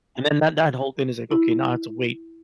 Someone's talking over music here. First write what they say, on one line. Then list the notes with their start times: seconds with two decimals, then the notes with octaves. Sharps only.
and then that that whole thing is like, okay, now I have to wait,
1.31 E4